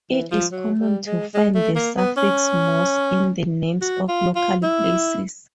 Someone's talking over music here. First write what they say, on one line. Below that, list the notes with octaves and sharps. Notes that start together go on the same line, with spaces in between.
It is common to find the suffix "Moss" in the names of local places.
E3
F3
F#3
G3
G#3
G#3
A3
A#3
B3
C#4
F#4
F4
F4
E4